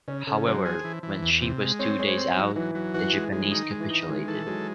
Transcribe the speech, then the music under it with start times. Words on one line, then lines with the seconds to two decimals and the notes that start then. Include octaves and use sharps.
However, when she was two days out, the Japanese capitulated.
0.08 C#3 C#4
0.27 C#3 A4
0.46 F#3 C5
0.65 G#4
0.84 E3
1.03 E3
1.22 E2
1.42 C3
1.61 G#3
1.79 C4 C#5
1.98 G#3 C#5
2.08 C5
2.17 C4
2.37 F#3 D#4
2.56 E3 F#3
2.75 F#3
2.94 E3 F#4
3.13 G#3
3.32 F#3 G#3
3.41 E3
3.51 D#3 D#4
3.71 G#3
3.80 E3
3.90 D#4
4.09 D#3 G#3
4.27 E3 A4
4.47 F#3 G#3